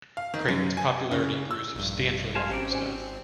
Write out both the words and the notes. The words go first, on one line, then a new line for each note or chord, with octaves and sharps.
Creighton's popularity grew substantially after his death.
F5
D#3
F#2
G#5
C#3
E6
A#1 G2
G4 F5 G#5 A5 C6
G#1 C4 C#4 F#4 A#5 D6
C5 D5 G#5